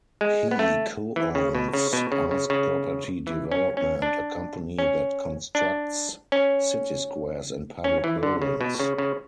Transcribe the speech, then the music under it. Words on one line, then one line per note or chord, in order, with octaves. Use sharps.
He co-owns Ask Property Development, a company that constructs city squares and public buildings.
G#3
B3
A3
E3
C#3
B2
C#3
B2
C#3
C#3
C#3
E3
C#4
C#4
D4
C#4
D4
C#4
C#4
E3
D3
C#3
B2
C#3
C#3